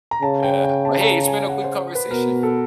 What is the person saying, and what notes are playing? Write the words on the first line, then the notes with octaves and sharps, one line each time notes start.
Yeah. But hey, it's been a good conversation.
A#5
C#3 A5
G5
G5
A5
A#5
A5
G#5
F#5
C5
B4
B2 A#4
A4